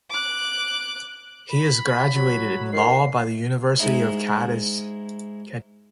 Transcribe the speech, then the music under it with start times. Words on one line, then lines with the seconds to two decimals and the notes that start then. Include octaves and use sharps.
He is graduated in law by the University of Cadiz.
0.10 D6 F#6
1.49 B5
2.15 F#3
2.73 D#3 C7
3.79 G#2 G#3 D#4 E4